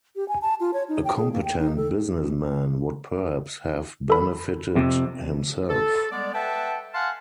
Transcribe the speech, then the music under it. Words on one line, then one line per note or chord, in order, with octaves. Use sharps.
A competent business-man would perhaps have benefited himself.
G4
G#5
A5
F4
C#5
D#4
G5
G#4
A#3
G5
D#4
A4
A4 B5
F2 C3
A4
G3 G#3 B3 D5
B4 E5 F#5 G5 A5
F5 F#5 G#5 A5 C6 F6